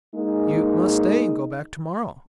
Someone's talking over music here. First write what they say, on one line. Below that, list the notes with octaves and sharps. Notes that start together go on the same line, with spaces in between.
You must stay and go back to-morrow.
G#3 A#3 D#4 G#4